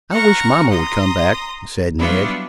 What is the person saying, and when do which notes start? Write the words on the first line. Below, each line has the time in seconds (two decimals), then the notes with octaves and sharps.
"I wish mamma would come back," said Ned.
0.13 F#5 A#5 C#6 F6
0.71 A#5 C6 D#6
2.00 F#3 G3 B3 D4 E4 F4